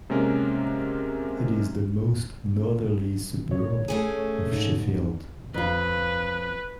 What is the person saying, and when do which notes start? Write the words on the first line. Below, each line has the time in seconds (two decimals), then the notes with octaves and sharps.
It is the most northerly suburb of Sheffield.
0.10 C3 G#3 A#3 C#4 A#4
3.51 C#5
3.88 A3 C#4 G#4
4.52 G#2
5.54 F2 F4 B4